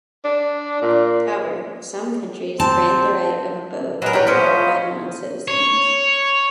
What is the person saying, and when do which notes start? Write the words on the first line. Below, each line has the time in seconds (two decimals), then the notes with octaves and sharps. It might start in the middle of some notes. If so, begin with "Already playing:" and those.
However, some countries grant the right of abode for qualified non-citizens.
0.24 D4
0.82 A#2
2.60 C4 A5
4.02 F#3 G#3 A#4 B4
4.13 E2 D4 C#5 G5 A#5 B5
4.27 A3 B3 C#4 D4 E4 C5 C#5 D#5
4.48 F3 F4
5.48 C#5